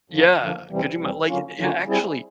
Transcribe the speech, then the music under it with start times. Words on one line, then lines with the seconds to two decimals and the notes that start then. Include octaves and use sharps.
Yeah. Could you ma like, yeah, actually
0.10 F#2 D3 F3 A#3
0.39 F#2 D3 F3 A#3
0.69 E2 C3 E3 G3 C4
0.99 E2 C3 E3 G3 C4
1.28 D3 F#3 A#3 C#4 F4
1.58 D3 F#3 A#3 C#4 F4
1.87 G3 C4 E4 G#4